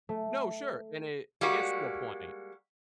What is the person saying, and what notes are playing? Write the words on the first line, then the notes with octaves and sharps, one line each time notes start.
No, sure, and it it gets to a point.
A3
G3 G#3 A#3 F#4